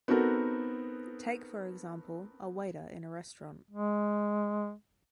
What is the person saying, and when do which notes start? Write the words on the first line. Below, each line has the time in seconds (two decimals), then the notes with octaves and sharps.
Take for example, a waiter in a restaurant.
0.08 B3 C4 D#4 F#4 A4 A#4
3.71 G#3